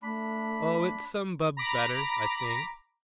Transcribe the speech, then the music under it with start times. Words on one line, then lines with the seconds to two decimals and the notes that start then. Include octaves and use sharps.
"Oh, it's some bub-better, I think."
0.02 A3 D4 B5
1.57 A#5 B5 D6 A#6